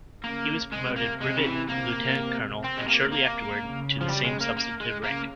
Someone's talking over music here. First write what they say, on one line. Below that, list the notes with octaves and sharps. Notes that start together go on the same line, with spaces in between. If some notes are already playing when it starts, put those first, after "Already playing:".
He was promoted brevet lieutenant-colonel and shortly afterwards to the same substantive rank.
C#3 A#3
C3 G#3
A#3
C3 G#3
C#3
E3
C3 A#3
C3
C3 C4
G#3
A#3
A#3
C#3
F3
G3
G#3
A#3
A#3
G#3
C#3 A#3